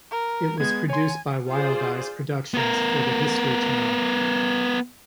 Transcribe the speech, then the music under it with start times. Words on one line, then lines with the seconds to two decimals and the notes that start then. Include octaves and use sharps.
It was produced by Wild Eyes Productions for The History Channel.
0.11 A#4
0.60 G#3 B3 G#6
0.90 C#5 G#5 C6
1.49 F4 G#4 C5 D5
2.54 B3 A#4